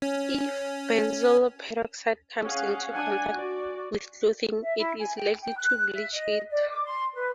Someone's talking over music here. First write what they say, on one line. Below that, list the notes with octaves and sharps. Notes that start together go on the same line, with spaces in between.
If benzoyl peroxide comes into contact with clothing it is likely to bleach it.
C#4
C#4 G#4 F5 F#5
D4 F#5 G#5
F#4 D5
E5
E4
G#5
G5
G5
F#6
E5
D#5
D5
D6
C6
B4